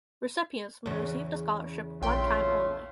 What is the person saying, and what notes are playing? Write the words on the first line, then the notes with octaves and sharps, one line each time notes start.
Recipients may receive the scholarship one time only.
E2 C#3
A#1 A3 F4 C#5 G5 C6